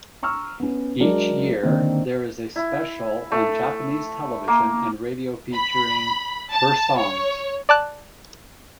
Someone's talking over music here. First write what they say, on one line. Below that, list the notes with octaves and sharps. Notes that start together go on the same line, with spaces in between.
Each year there is a special on Japanese television and radio featuring her songs.
A#5 C#6 E6 F6
B3 C#4
F#3 G#3 D4 A#4 D5
D3 D#3 A#3 C4
E4
A3
A#3
B5
A5
C#5
D5 A5 F#6